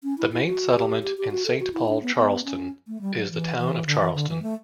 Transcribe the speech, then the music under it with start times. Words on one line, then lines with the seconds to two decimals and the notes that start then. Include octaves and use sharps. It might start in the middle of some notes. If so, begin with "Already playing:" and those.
The main settlement in Saint Paul Charlestown is the town of Charlestown.
0.03 C#4
0.18 E4
0.32 E4
0.46 F#4
0.75 G4
1.03 G4
1.18 G4
1.31 F#4
1.46 A4
1.60 F#4
1.73 E4
1.88 D4
2.02 B3
2.16 B3
2.44 C#4
2.87 A3
3.01 G3
3.15 F#3
3.30 E3
3.57 E3
3.86 D3
4.00 E3
4.14 D3
4.29 E3
4.42 A3